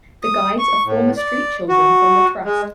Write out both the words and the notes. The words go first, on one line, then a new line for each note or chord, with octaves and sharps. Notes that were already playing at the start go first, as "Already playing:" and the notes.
The guides are former street children from the trust.
D#6
C#6
A2
D5
F#4
G#3